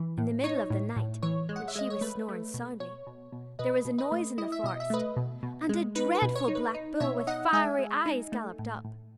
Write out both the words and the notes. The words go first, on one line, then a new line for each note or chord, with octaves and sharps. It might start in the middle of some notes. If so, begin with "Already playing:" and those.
In the middle of the night, when she was snoring soundly, there was a noise in the forest, and a dreadful black bull with fiery eyes galloped up.
Already playing: E3
A2
D#4 C#5
A2
A2
E3 C#5
G#3
F#5
E5
G#3 D#5
C#5
A3 B4
A3
B2
B2 C#5
B2
B2
B2 B4 D#5
B2
B4 D#5
A3
E4 D#5
E5
B2 D#5
E5
A3 B4 D#5
B2
B2
G#3
D#4 B4
B4
B2
C#5
D#4
B4
D#4
B2 C#5 E5
D#4 D#5 F#5
G#3 E5 G#5
G#3
D#4
A3
A2
A2